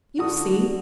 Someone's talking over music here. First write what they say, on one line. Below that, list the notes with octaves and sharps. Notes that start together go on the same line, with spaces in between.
You'll see.
D3 F#4 D#6